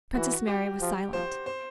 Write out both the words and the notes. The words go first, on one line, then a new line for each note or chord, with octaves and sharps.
Princess Mary was silent.
E3 F#4
G4
F3
F3 C5
C5